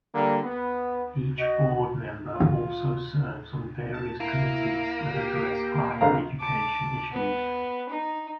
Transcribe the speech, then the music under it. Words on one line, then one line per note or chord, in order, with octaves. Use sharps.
Each Board Member also serves on various committees that address higher education issues.
D3 G3 A#3
B3
F#4 D#5
F4
A5
A#3 E4
G4
A#1 C3 F5 A#5
A5 D6
B3
D#4